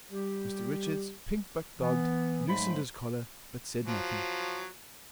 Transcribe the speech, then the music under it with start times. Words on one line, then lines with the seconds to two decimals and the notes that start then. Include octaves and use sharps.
Mr Richards, pink but dogged, loosened his collar, but said nothing.
0.12 G3 G4
1.79 E3 B3
2.47 G#2 F#3 G#3 A3 C5 B5
3.86 F3 F#3